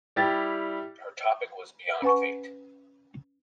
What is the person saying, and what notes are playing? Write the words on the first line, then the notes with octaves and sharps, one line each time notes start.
Her topic was Beyond Fate.
G3 E4 G4 A6
C#4 B4 F#5 G#5 C#6